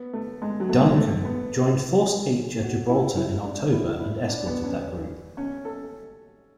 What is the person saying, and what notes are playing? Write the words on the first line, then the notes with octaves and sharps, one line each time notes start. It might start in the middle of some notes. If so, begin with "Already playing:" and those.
"Duncan" joined Force H at Gibraltar in October and escorted that group.
Already playing: B3
A3
G#3
F#3
A3
G#3
A3
B3
F#4
E4
E4
D4
E4
E4
D4
B3
C#4
C#4
A4